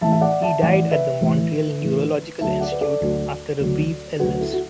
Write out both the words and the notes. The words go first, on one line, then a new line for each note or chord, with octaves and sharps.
He died at the Montreal Neurological Institute after a brief illness.
A1 A2 E3 E5 A5
E5
D5 F#5
E5 A5
A1 A2 E3 D5 F#5
B4 E5
A1 A2 E3
A1 A2 E3
D2 D3 F#3 E5 A5
D5 F#5
B4
A4 D5
D2 D3 F#3
D2 D3 F#3
D2 D3 F#3 F#4 B4
E4 A4
F#4